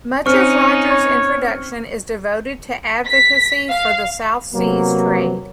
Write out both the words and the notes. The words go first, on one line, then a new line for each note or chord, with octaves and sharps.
Much of Rogers' introduction is devoted to advocacy for the South Seas trade.
C4 C#4 D#4 C#6 F6 C#7
C#5
B6
F5
C3 F#3 A#3 B3